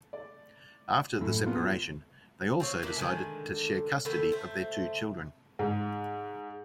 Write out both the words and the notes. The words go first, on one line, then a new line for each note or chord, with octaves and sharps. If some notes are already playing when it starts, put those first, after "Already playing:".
After the separation, they also decided to share custody of their two children.
D5
F#2 A2
F3 B3 F4
C4 F4 C#5
A#3 D4 E4 B4
D3 D#3 G#3 G#5
D#3 A4 B4 G5
A3 C5
G#2